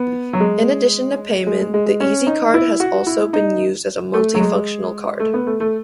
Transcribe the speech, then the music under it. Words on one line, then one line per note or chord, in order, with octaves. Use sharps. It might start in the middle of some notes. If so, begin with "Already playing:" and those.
In addition to payment, the EasyCard has also been used as a multifunctional card.
Already playing: B3
F#3
G#3
G#3
G#3
G#3
G#3
C#4
D#4
E4
F#4
E4
D#4
A3
F#3
G#3
A3
B3
A3
A3